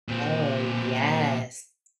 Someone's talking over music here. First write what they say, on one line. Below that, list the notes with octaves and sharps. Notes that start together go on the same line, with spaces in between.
Oh, yes.
A#2 C4